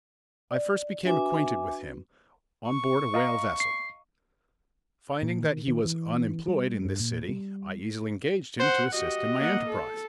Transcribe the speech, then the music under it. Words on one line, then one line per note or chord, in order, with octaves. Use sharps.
I first became acquainted with him on board a whale vessel; finding that he was unemployed in this city, I easily engaged him to assist in my enterprise.
D5
D4 F#4 B4 E5 G#5 D6
C#6
D#5 F5 A#5
C7
A#2
D#3
D#3
E3
G3
G2
A#2
G3
C5 F#5
F#4 G4 D#5
A#3 F#5
A4